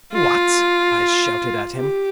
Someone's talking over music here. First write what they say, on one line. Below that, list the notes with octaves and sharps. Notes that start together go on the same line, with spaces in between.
"What!" I shouted at him.
F4
G4